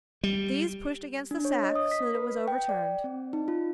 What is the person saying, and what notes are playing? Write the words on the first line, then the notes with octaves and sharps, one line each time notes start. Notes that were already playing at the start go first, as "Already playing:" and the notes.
These pushed against the sack so that it was overturned.
G3
D4
C#5
D#5
D#6
B6
B4
G5
D5
C4
D#4
F4